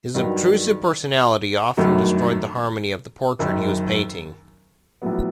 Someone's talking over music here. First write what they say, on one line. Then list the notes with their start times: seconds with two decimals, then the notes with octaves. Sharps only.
His obtrusive personality often destroyed the harmony of the portrait he was painting.
0.15 G2 D#3 F#3
1.77 G1 F#2 D#3 F#3 A3
3.39 F#1 F#2 D#3
5.02 A#1 A2 F#3 B3